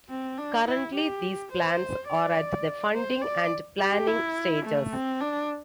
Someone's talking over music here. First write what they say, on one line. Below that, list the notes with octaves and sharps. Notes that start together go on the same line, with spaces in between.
Currently these plans are at the funding and planning stages.
C4
D4
E4
G4
C5
D5
C5
D5
G4
E4
A3
C4
D4